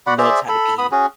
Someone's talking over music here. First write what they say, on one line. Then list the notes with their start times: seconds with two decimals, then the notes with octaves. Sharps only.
notes had to be
0.07 F#4 D5 F#5 B5
0.18 G#4 C5 D5 E5
0.49 A4 B5
0.78 B3 B5 D#6
0.92 C#4 F#4 G#4